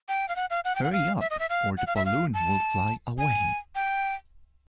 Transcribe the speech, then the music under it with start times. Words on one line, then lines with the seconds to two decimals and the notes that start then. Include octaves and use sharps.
Hurry up, or the balloon will fly away.
0.09 G5
0.29 F5
0.36 F#5
0.50 F5
0.65 F#5
0.75 G5
0.83 F#5
0.92 F5
1.20 E5
1.30 D#5
1.40 E5
1.50 F5
1.77 F#5
1.87 F5
1.96 E5
2.06 F5
2.34 A5
3.18 G#5
3.75 G5